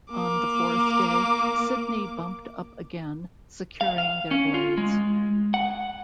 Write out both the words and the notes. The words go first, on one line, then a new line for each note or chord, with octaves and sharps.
On the fourth day, Sidney bumped up again, securing their blades.
A#3 D6
F5
F5
C#4
F4
G#3
F#5